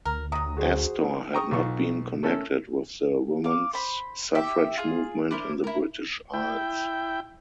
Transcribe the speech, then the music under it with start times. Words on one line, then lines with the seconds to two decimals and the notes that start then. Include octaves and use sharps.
Astor had not been connected with the women's suffrage movement in the British Isles.
0.05 D2 A#4
0.32 C3 F#3 A#5 D#6
0.57 F#4 G#4 C5
1.33 G5 A#5 C#6 D#6
1.51 B1 F4 C#6
2.23 A3 C#4 E4 A4 A#4
3.44 F5 D6
3.73 C5 B5
4.35 G4 E5
4.77 F4 G#4
5.31 D4 E4 A#4 C5
5.64 E4 A#4
6.33 E4 G5